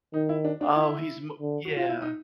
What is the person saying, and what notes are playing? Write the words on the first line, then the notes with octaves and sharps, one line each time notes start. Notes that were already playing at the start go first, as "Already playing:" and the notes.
Oh, he's m yeah.
D#3 D#4
E4
D4
D4
E4
D3
F#4
F4
E4
D#4